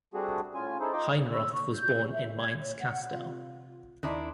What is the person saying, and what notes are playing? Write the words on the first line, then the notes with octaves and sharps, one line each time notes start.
Heinroth was born in Mainz-Kastel.
G3 A3 C4 D4 F#4 G#4
A2 C#4 F4 G#5
C#4 D#4 E4 G#4 A4 C5
D#4 F4 D#5 G5 C6 D6
E6
C#6
G6
E5
G#6
C#5
F#5
C3 F4
D#2 D#3 D4 E4 D5 C6